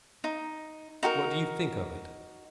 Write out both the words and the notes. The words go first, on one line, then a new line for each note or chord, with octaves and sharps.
What do you think of it?'
D#4
D#4 F#4 A4 A#4